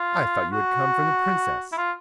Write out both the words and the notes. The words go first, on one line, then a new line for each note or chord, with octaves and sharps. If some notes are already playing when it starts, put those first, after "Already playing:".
'I thought you had come from the Princess.
Already playing: F4
F#4
E4
F4